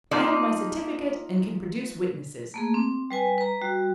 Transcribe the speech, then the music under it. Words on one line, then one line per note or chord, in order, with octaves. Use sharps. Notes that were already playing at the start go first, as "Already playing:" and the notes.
I have my certificate and can produce witnesses.
F3 A#3 D#4 D5
A3 A#3 G#4
C4
G3 B4 G#5
B4 A#5
G3 F#4